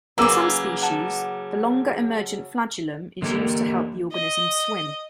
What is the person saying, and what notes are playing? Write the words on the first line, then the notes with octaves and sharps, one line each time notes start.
In some species, the longer, emergent flagellum is used to help the organism swim.
C#3 E3 F#3 A#3 A#5 D6 E6
F#5 A5
D3 E3 A#3 G4 A4 A#4
D#5